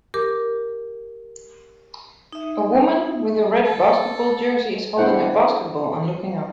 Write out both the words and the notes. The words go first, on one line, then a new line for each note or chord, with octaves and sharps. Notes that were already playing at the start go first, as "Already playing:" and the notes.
A woman with a red basketball jersey is holding a basketball and looking up.
G4 A#4 D6
D#4 E5
A4
B3 D4 E4 C5 F#5 G5